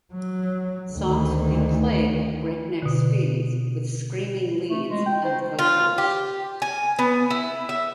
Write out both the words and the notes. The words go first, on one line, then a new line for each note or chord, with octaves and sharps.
Songs would be played at breakneck speeds, with screaming leads and vocals.
F#3
D2 D#3
B2 D3
A3
G#3
G5
C5
F4
G4
G#5
B3
E4
E5